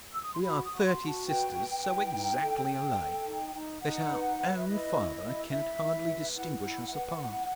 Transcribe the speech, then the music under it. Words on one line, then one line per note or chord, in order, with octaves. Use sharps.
We are thirty sisters so exactly alike that our own father can hardly distinguish us apart.'
E6
D#6
C6
F#4 B5
D#6
F#4
B5
C6
F#4
A5
B4 G5
B4
E4
D#4
A4
A4
A4
D#4
D#4
D#4 F#5
B4
B4
E5
E4 D#5
E4
E4
E4 E5
E4
B4
E4 F#5
E4
B4
E4